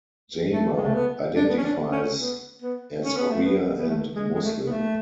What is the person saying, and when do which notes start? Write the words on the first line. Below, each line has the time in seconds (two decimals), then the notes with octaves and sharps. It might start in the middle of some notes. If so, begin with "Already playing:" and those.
Jama identifies as queer and Muslim.
0.52 A3
0.76 G#3
0.86 A3
0.94 B3
1.36 D4
1.49 B3
1.57 C#4
1.64 D4
1.92 C#4
2.20 B3
2.62 B3
3.04 C#4
3.16 B3
3.30 A3
3.43 B3
3.78 B3
3.87 A3
4.15 G#3
4.34 G#3
4.43 A3
4.66 B3
4.71 A3